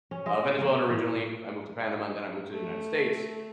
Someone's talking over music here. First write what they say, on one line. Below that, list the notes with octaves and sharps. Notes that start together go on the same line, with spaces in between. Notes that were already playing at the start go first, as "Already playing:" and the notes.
Uh, Venezuelan originally, I moved to Panama, and then I moved to the United States.
C#4
G#3
A#3
A2
A3